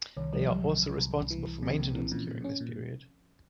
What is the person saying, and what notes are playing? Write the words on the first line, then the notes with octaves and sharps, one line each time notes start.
They are also responsible for maintenance during this period.
C2 D#3
F3 G3
C2 F#3
C2
C2
C2
C2
E3
C2
C3 F3
C2 A#3
E3 C4
A#2 C#4
A#2
C#4
A#2